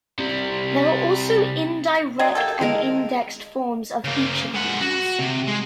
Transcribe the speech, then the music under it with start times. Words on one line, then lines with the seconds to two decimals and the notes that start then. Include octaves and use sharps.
There are also indirect and indexed forms of each of these.
0.19 C3 G3
2.19 F#3 D5 D#5
2.35 A#3 G4 A4
2.61 G#3 A#4
4.04 C#3 A#3
4.54 G#3 F#5
4.81 F#4
5.19 C3
5.48 G#3